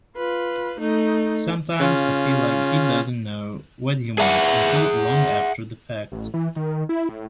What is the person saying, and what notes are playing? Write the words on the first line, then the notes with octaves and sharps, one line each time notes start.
Sometimes I feel like he doesn’t know what he wants until long after the fact.
F4 B4
A3 D#4
C#3 C#4 F4
G#4 E5 F#5
A1
E3
D#3
E4
A2